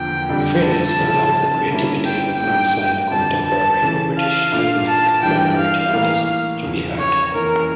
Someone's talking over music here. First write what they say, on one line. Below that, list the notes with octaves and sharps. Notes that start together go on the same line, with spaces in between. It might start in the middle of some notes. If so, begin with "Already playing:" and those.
Freeness allowed the creativity of unsigned contemporary British ethnic minority artists to be heard.
Already playing: E2 D3 F3 A#3 G5
F2 D3 G3
A5
C#3 F3 A3 C#4
D3 G3 A#3 C#4 E4
G5
A2 G3 A#3 D4 G5
F2 D3 G3 D4 A5
A5
C#3 E3 A3 C#4
F5
A#2 A3 D4 F4 F5
A5
E3 G3 D4 G5
F5
A2 E3 A#3
E2 C#3 F3
C#5
F2 E3 A#3 C#4 A#4